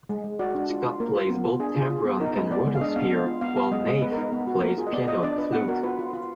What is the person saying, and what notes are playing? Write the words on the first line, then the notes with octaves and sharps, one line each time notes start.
Scott plays both tambron and rotosphere, while Naiff plays piano and flute.
G#3
G#3
F#4 D5
D4
F4
F4
A#3 A#4
F4
B3
F4
D4 G#4
F4 G#4
F4
B3
D#4 A#4
G#3 B4
B3 D5
G#3
F5
D4 D#5
B3 F5
B3
F4
B3 F5
B3 F5
G#3 D#5
G#3 D#5
B3 B4
A#4
D#4
B4
B3
F#4
A#3 A#4
F4 G#4
D#5
B3 D5
F4 D#5
D4 D5
D4 B4
B3 F#5
F#4 A#4
F4 B4
F4
F4